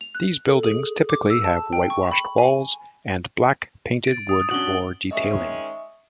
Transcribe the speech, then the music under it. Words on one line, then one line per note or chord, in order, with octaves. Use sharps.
These buildings typically have whitewashed walls, and black painted wood or detailing.
F7
F#6
A4
G#4
D6
E6
A5
G5
C#6
B5
G#5
A6 D7
D#6
C#4 D4 F#4 F#7 G7
D#3 G#3 C#4 D#5 E5 C#6